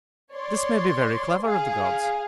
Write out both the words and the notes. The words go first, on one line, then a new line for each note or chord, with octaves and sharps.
This may be very clever of the gods.
C#5 D5 C6
G#4 F5